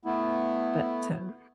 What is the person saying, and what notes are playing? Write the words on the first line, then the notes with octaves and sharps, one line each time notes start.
But, um
A3 B3 E4